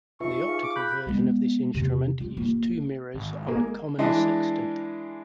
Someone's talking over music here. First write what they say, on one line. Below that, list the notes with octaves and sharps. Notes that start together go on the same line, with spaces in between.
The optical version of this instrument used two mirrors on a common sextant.
D#4 F4 B4 E5 C#6
G#4 F5
D6
B5 F#6 G6
G#3 B3
E2 C3
F4
D#1 A#3
G#1
G#3 A#3
E3 G#3 D4 D#5